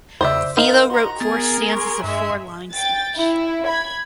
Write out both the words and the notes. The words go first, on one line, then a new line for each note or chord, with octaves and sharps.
Thilo wrote four stanzas of four lines each.
E2 C#3 C5 D5 E5
D#4 A#4 C5 F5
F#4 A#5 C6
B3 G#4 A#4 A6
C6 C#6
G2 G#3 E5
G5 A6
E4
B5 G#6